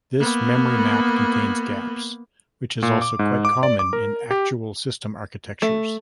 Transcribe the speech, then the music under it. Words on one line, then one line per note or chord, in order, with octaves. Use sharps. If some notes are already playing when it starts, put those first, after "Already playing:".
This memory map contains gaps, which is also quite common in actual system architectures.
A#3 B3
A#2
D6
G#2
D6
D5
D6
A#4
G4
A3